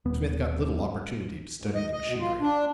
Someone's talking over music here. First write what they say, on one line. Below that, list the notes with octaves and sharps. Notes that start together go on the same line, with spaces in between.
Smith got little opportunity to study the machinery.
D#1 B3
G#2
D#5
D#5
B2
F4
D4